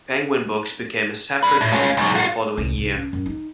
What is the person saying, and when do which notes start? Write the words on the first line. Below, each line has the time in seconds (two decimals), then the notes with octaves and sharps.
Penguin Books became a separate company the following year.
1.43 D4 B4
1.61 A2
1.73 C#4 F4
1.97 C#2 F#3
2.15 F4 F#4
2.58 C2
2.78 C2
2.95 C#4
3.13 F#2
3.26 D#4